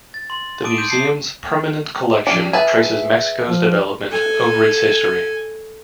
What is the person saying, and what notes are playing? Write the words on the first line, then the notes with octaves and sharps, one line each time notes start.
The museum's permanent collection traces Mexico's development over its history.
A6
C6
G#5 A5 D6 D#6 D7 D#7
C6 G6 D#7 E7
A5 C7 C#7
F2 C#4 D4
G#4 B4 E5 A5
F3
A4 G#5